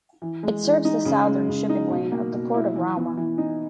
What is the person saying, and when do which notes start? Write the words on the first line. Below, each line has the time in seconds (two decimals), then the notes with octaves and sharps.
It serves the southern shipping lane of the Port of Rauma.
0.22 E3
0.43 G#3
0.64 E3
0.85 D#4
1.05 C#3
1.27 G#3
1.49 C#3
1.69 D#4
1.91 B2
2.12 A#3
2.32 B2
2.54 E4
2.75 E3
2.97 B3
3.17 E3
3.38 D#4